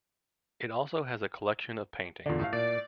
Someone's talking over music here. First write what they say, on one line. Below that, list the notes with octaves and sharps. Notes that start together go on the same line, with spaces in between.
It also has a collection of paintings.
E2 A#2 D3 D5
A2 F5
A#2 D5